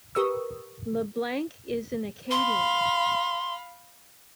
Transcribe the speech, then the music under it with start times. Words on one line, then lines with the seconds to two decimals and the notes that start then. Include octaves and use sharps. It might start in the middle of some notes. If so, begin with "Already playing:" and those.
LeBlanc is an Acadian.
0.15 G4 A#4 B4 C#6 D#6 E6
2.31 F5 B5 C6